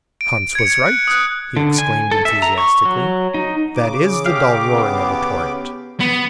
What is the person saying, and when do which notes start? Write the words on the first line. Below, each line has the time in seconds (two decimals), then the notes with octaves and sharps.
"Hans was right," he exclaimed enthusiastically; "that is the dull roaring of a torrent."
0.21 D7
0.55 G#6 C#7
0.86 F#6
1.07 D#6 F#6
1.57 D3
1.78 G#5
2.11 A4
2.25 E5
2.42 A#5
2.58 C#6
2.85 F#3
3.34 D#4
3.76 C#3 D6
4.26 G4 F5
4.73 B3
6.00 B3